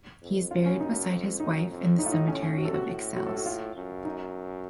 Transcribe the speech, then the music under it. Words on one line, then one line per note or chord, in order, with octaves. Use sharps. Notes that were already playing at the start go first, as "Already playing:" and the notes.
He is buried beside his wife in the cemetery of Ixelles.
F2
F#2 F4
C#4
D#4
F2
F#2 D#4
F2
A2 D#4
F4
D#4
C#4
C#4
C3 F#4
A4
F#4
A2
F#4
A4
F#4
F4
F#2
D#4